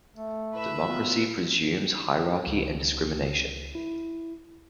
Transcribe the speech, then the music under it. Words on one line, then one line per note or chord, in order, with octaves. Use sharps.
Democracy presumes hierarchy and discrimination.
A3
A2 B4 E5
B2 F4
C#2
E4